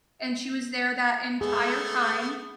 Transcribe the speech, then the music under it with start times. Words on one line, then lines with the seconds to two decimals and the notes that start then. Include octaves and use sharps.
and she was there that entire time,
1.41 A3 B3 G#4